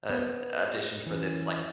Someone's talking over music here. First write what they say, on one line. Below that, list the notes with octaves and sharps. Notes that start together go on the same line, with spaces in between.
a addition for this like
B3 B4
E3 C#4